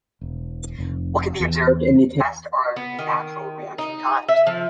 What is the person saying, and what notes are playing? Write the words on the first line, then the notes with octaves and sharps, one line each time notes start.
What can be observed in the test are the actual reaction times.
E1
F1
E2
B3
D#3
D#4
E5
F3